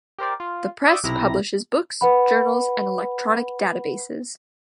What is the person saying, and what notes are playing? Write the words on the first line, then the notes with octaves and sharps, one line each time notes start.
The Press publishes books, journals, and electronic databases.
G4 A#4 C5 D5
F4
D5 E5 F#5 G5 C#6 D#6
B1 C3 E4 A#5 A#6
B4 F#5 B5